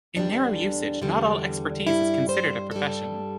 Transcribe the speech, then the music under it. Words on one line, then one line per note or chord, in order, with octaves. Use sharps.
In narrow usage, not all expertise is considered a profession.
E2 D3 G3 D4
E2 D3 G3
G2 G3 E4
C5
G2 G3 A4